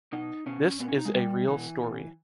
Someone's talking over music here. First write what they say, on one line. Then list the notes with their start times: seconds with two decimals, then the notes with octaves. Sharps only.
This is a real story.
0.12 B2 D#4
0.46 B2 C#4
0.80 A#2 B3
0.88 C#4
0.97 D#4
1.05 G#3
1.14 A#2 G3
1.48 B2 E3
1.82 B2